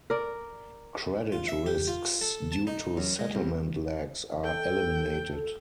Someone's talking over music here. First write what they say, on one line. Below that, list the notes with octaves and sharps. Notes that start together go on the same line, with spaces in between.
Credit risks due to settlement lags are eliminated.
A#4 D5
F4
E5
G4
F4
A4
A5
D#4
F#2
G#3
C2
A4 G5